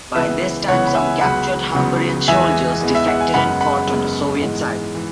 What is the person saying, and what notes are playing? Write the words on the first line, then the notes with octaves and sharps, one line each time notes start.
By this time, some captured Hungarian soldiers defected and fought on the Soviet side.
C#2 C#3 E3 B3 B4 E5
C#2 C#3 E3 B3 C#5 F#5
B5
E5 G#5
C#2 C#3 F#3 B3 F#5 B5
C#2 C#3 F#3 B3
E2 E3 G#3 B3 E5 G#5
E2 E3 G#3 B3
E5
F#5
G#5
F#2 C#3 G#3 B3 F#5 B5
F#5 B5
F#2 C#3 G#3 B3
G#2 E3 G#3 B3
E3 G#3